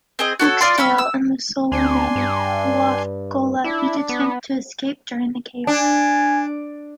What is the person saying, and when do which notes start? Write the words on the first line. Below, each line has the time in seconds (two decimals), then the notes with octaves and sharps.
Uxtal and the sole remaining Waff ghola each attempt to escape during the chaos.
0.19 C4 G#4 D#5
0.39 F#4 A4 C5 C#5
0.61 F4 D5 C6
0.78 C#4 F5 B5 E6
0.98 E6
1.72 D2 D4 G#5 C6
2.16 G2
3.64 D4 E4
4.09 B3
5.67 D4 G#5